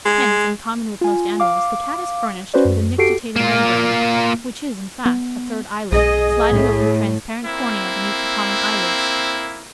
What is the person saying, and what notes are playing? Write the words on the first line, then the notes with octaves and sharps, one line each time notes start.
Hence, in common with most animals, the Cat is furnished with a nictitating membrane, which is, in fact, a third eyelid, sliding over the transparent cornea beneath the common eyelids.
G#3
F4 G#5
F5 D6
C#4 F#4 B4 C5 D5
F#2
F#4 G4 A4 C7 D7
A#3 F4
B3
B1 G#4 D#5
A2
A#3 C4 E4